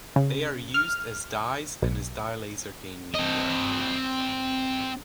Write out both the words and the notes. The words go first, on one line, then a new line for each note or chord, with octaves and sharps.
They are used as dyes and as dye laser gain media.
C#3
F6
B1
C4 D#5